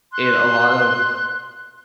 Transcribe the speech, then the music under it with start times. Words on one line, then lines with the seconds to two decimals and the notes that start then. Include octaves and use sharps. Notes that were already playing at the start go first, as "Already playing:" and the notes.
it a lot of
0.13 C6 F#6